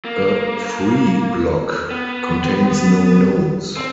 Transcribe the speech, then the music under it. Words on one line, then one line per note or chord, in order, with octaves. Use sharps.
A "free" block contains no nodes.
A#3
B3
C4